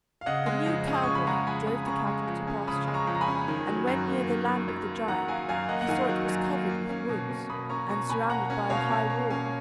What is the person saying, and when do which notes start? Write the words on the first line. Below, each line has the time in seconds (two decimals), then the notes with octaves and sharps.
The new cowboy drove the cattle to pasture, and when near the land of the giant, he saw it was covered with woods and surrounded by a high wall.
0.21 F5
0.26 C#3 D#5 F#5
0.46 G#3
0.66 F2
0.87 C#4
0.93 D#6
1.03 C#3 C#6
1.15 B5
1.27 G#3 F#5 A#5
1.46 F2 G#5 B5
1.67 C#4 B5 D#6
1.87 C#3 A#5 C#6
2.07 G#3
2.27 F2
2.47 C#4
2.67 C#3 B5 D#6
2.87 G#3
2.94 A#5 C#6
3.07 F2
3.15 A#5
3.21 G#5 B5
3.28 C#4
3.48 D#3
3.68 F#3
3.87 F#2
4.07 A#3
4.28 D#3
4.48 F#3
4.68 F#2
4.89 A#3
5.08 D#3 F#5 A#5
5.28 F#3 F5 G#5
5.49 F#2 F5 G#5
5.69 A#3 D#5 F#5
5.81 F#5
5.88 D#3 F5 G#5
6.09 F#3
6.29 F#2
6.49 A#3
6.69 A#3
6.89 C#4
7.09 B2
7.29 B2
7.50 A#3 B5 D#6
7.69 C#4 A#5 C#6
7.89 B2 A#5 C#6
8.09 B2 G#5 B5
8.30 A#3 F#5 A#5
8.50 C#4
8.70 B2 C#5 F5
8.90 B2
9.10 A#3
9.30 C#4